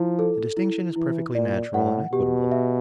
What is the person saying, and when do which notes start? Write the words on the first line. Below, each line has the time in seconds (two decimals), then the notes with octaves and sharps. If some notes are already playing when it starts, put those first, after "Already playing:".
The distinction is perfectly natural and equitable.
Already playing: F3 E4
0.19 A4
0.57 E4
0.96 E3 E4
1.35 A#2 D5
1.74 A2 F#5
2.12 B2 G4
2.52 E5